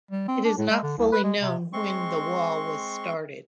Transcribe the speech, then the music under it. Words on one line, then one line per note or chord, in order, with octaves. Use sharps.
It is not fully known when the 'wall' was started.
G3
C4
D4
A2
G#3
D3
C2
B4
G#3
C3
G#3 C4 C6 C#6